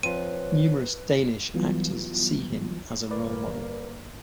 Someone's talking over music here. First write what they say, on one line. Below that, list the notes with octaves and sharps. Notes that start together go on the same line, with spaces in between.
Numerous Danish actors see him as a role model.
F3 C4 B4 C#5 D#7
E3 F#3 G3 B3 F4
G1 A#3 A#4 B4 D5